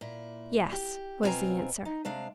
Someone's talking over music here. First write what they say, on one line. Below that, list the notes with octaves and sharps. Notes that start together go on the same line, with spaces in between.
"Yes," was the answer.
A#2 E4
G4
B2 C4 E4 F4 G#5 A#5
D#4
C3 G#3 D4 F5